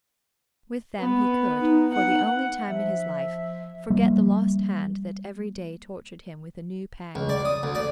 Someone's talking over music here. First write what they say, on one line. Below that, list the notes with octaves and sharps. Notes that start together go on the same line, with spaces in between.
With them he could, for the only time in his life, forget the lost hand that every day tortured him with a new pang.
B3
D#4
F#5
F3 E5
F3 G3 A#3
C#2
D5
D#6
D2
D5